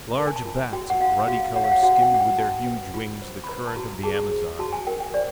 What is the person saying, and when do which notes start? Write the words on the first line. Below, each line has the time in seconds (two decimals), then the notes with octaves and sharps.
Large bats of ruddy color skimmed with their huge wings the current of the Amazon.
0.17 A#4 A5
0.27 G#5
0.36 A5
0.45 F4
0.73 F#4 G5
0.90 F#5
1.01 F#4 F5
1.28 F#4 F5
1.56 C#5 F#5
1.64 F5
1.72 F#5
1.83 F#4 F#5
1.96 F#5
2.02 G5
2.11 C#4 F#5
2.20 G5
2.38 F#4 A5
2.66 B4
2.94 F4
3.22 C5
3.44 B5
3.49 B4 A#5
3.67 A5
3.76 F#4 A#5
4.04 G#4 A5
4.32 C5
4.59 F#4 A5
4.73 G#5
4.87 A#4 G5
5.00 G5
5.14 C5 D5